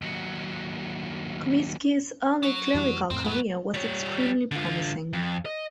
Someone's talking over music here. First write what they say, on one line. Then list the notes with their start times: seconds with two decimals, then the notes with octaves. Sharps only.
Comiskey's early clerical career was extremely promising.
0.02 D#2 F#3
2.43 F#3
2.75 F2 E3 G3
3.11 F2 A2 C4
3.24 F2 A2 F#3 G#3 B3
3.74 G3 C#5
4.52 D3 F4
5.13 F2
5.46 D#5